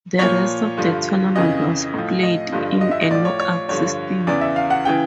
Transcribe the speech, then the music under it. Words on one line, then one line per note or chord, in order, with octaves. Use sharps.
The rest of the tournament was played in a knockout-system.
A#2 F3 C#5
G2 D3 F3
F2 C#3 E3 D#5
A2 F3
D#5
G2 D3 F3
D#5
E5
D#5
A2 F3 D5
C#5
C#5
G2 D3 F3 C#5
E2 C#3 E3 D5
E5
F5
F#5
C#3 E3 G5